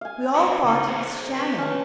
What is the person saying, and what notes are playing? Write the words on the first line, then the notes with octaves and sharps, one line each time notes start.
We all thought he was shamming.
F5 G#5
E4 F#4 B4
C#3 D#4
G#4 C5 C#5
B4 C#5
C#4 A5